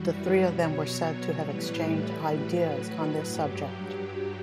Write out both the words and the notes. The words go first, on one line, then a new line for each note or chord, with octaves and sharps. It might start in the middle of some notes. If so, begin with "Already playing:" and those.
The three of them were said to have exchanged ideas on this subject.
Already playing: F#2 E3 G3 F#4 B4
B2 F#3 C#5
A2 E3 G3 B4
A2 F#3
G2 F#3 G4